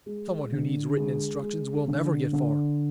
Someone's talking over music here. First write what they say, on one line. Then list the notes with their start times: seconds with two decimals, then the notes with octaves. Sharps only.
Someone who needs written instructions will never get far.
0.06 G#3
0.52 D3
0.97 G#3
1.42 G#3
1.88 D3
2.33 D3